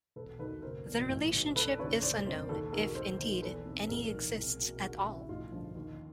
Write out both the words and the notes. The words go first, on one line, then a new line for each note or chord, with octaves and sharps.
The relationship is unknown, if indeed any exists at all.
E1 A4 B4
D#2 D#3 F#3 A4 B4
F#1 A#4 C5
E2 B2
A1
G#2 D#3 F#3
F1 A4 B4
D5
D#2 C#3 B4 C#5
F#1 C5 D5
F2 D3 A#4 C5
D#2 A4 B4
D#3 F#3 G#4 A#4
D#2 A#4 C5
D#3 F#3 A#4 C5
E2 A4 B4
C3 D#3
A1 G#4 A#4
G#2 E3
C2
B2 F#3
D#2 F#4 G#4
C#3 F#3 E4 F#4
A1 D#4 F4
G2 D3 F3
D#2